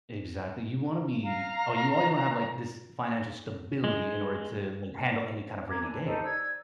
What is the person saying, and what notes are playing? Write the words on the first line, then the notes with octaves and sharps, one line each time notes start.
Exactly, you wanna be oh, you always wanna have, like, this financial stability in order to, like, handle any kind of rainy day.
F5 A#5
G#3
A#4 A#5 D6 G#6
D4 E4 G#5
D#4 G4 A4 C5
D5 E6 G#6